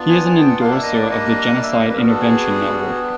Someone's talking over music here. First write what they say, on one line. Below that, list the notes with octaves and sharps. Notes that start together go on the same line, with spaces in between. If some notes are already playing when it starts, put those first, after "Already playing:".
He is an endorser of the Genocide Intervention Network.
Already playing: B3 D4 F4
G#5
G#5
G5
F#5
G3 A#3 D4 F5
E5
D#5
D5
D#5
E5
F5
D#5
B4
G3 B3 D4 F#4 A#4
A4
G#4